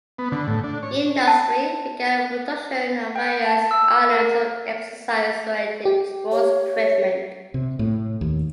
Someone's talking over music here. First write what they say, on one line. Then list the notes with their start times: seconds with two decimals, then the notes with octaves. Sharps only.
Industry began the production of various items of exercise-oriented sports equipment.
0.19 B3
0.32 D3
0.48 A2
0.64 D4
0.83 C#5
1.27 A5
3.16 G5
3.45 A5
3.71 E6
4.11 A#4
5.85 G4
6.32 C#5
7.54 C3
7.79 A2
8.21 D#2